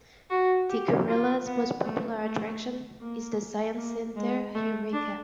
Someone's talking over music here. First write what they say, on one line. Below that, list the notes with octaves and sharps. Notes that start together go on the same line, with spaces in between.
Tikkurila's most popular attraction is the science center Heureka.
F#4
G4
F4
B3
A3
A3
A#3
A#3
G#3
A3
D4